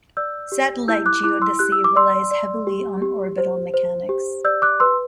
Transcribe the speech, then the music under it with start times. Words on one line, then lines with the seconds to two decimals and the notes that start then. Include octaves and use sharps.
Satellite geodesy relies heavily on orbital mechanics.
0.17 D5 E6 G6
0.52 G4
0.88 E4 E6 G6
1.06 D6 F#6
1.24 E4 D6 F#6
1.42 C6 E6
1.59 G4 F#6
1.72 E6
1.84 D6
1.96 D5 C6 E6
2.31 D5
2.67 G4
3.02 G4
3.38 C5
3.74 C5
4.09 G4
4.45 D5 E6 G6
4.62 D6 F#6
4.80 B4 C6 E6